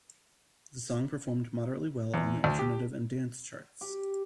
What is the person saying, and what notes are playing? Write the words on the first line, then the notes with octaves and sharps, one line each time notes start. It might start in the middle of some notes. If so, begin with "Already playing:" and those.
The song performed moderately well on the alternative and dance charts.
E2
D2
G4
G4